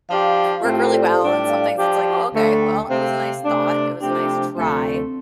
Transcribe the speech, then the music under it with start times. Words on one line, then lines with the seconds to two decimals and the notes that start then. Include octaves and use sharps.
work really well, and some things it's like, "Oh, okay, well, it was a nice thought, it was a nice try,"
0.09 F3 D4 G4 F5
0.23 F5
0.60 F4
0.65 A2 A3 C4 G4
0.76 A4
0.85 C5
0.93 D5
1.21 A2 G3 D4 D5
1.35 D5
1.49 F5
1.78 F3 D4 G4
2.33 D2 D3 A3
2.61 G5
2.75 G5
2.89 C3 A3 C4 F5
3.45 C3 A3 D4
4.01 C3 F3 A3 C4 D4 G4
4.57 D2 C3 F3 A3 C4
4.71 C4
4.85 C4